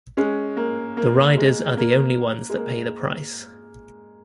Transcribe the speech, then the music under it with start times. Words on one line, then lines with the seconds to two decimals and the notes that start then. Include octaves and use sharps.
The riders are the only ones that pay the price.
0.17 G#3 C#4
0.57 A#3
0.97 A#3
1.37 G#3
1.77 A#3
2.50 G#3
2.56 A#3